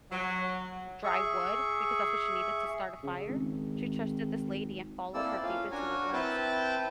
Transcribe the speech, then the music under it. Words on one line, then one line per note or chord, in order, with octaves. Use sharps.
dry wood- because that's what she needed to start a fire- she trusted this lady, and followed her deep into the woods,
F#3
G#4 E5 C#6
C#3
G#1
A#3 C4 E4 A4 D5 E6
C#4 F4 F5
D4 F#4 A#4 C#5 G#5
C4 E4 B4 G5 A5